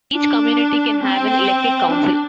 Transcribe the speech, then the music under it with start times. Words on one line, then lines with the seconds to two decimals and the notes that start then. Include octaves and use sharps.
Each community can have an elected council.
0.15 D4
1.03 C4
1.90 D4